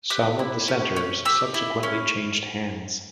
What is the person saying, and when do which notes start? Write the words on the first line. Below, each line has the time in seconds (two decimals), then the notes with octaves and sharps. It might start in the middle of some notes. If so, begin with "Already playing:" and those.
Some of the centres subsequently changed hands.
0.10 G4 F#6
0.39 E4
0.68 C#4
0.96 C#4
1.25 G4 E6
1.54 E4
1.83 C#4